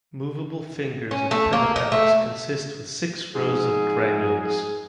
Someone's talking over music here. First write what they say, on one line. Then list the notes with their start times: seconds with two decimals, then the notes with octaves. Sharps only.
Movable fingers of pedipalps consist with six rows of granules.
1.11 C#4
1.31 A3
1.53 A#3
1.76 D#4
1.92 A3
3.35 F2 G#2 G#4